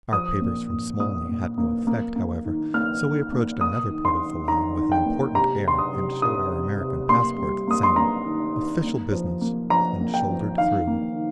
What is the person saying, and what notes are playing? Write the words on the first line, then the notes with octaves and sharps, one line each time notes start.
Our papers from Smolny had no effect, however, so we approached another part of the line with an important air and showed our American passports, saying "Official business!" and shouldered through.
F3 D#6
A#2
A#2
A#2 D#6
A#2
A#3
A#3
A#3
D#3
A#3 F6
D#3
A#3
A#3 D#6
D#3
C6
D#3
D#3 A#5
D#3
G5
A#3
C3 A#5
C3 C6
D#6
C3
C3 D#6
C3
C3
A#3 C6
G3
A#3 D#6
C6
A#3 A#5
D#3
D#3
A#3
F3
A#3
F3 A#5
A#3
G5
F3
D#3 F5
A#3
D#3